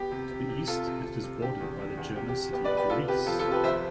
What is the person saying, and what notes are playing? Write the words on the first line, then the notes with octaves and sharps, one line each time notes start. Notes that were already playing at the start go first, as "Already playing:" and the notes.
To the east, it is bordered by the German city of Rees.
Already playing: B3 G4
C3
C3
C3
C3 F4 A4
C3
C3
C3
D3 G4
E2
D3
E2
C3 G4
G4
C3
B3 G4
B4 D5
B3
G4 B4
B3 F4 A4
C3 G4 B4
F3 F4 A4
F4 A4
C3
G4 B4
F2 C5 E5